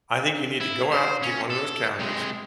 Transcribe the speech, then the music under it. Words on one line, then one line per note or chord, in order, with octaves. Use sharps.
I think you need to go out and get one of those calendars,
E4
C5
C#4
A4
C3 G#3